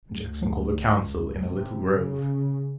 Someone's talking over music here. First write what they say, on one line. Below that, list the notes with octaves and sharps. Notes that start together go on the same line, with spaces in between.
Jackson called a council in a little grove.
D2
C#2
C3
C#3